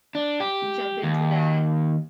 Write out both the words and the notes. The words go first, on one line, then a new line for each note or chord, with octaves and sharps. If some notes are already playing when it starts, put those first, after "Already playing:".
jump into that,
D4
G4
D#2